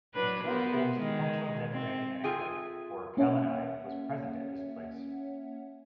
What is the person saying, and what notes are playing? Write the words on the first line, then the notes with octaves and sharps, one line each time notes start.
The fourth oldest functional damGrand Anicut or Kallanai was present at this place.
F#3 D4 B4
B3 A#4 C5
D#3 G#3
C4
A3 C4 F4 G#4 G5
A#3 C#4 C#5 E5 F#5